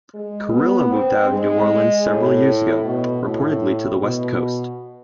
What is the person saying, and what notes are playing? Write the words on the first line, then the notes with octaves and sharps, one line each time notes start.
Carrillo moved out of New Orleans several years ago, reportedly to the West Coast.
G#3
B3
C4
G#3
A2
B2
A2
B2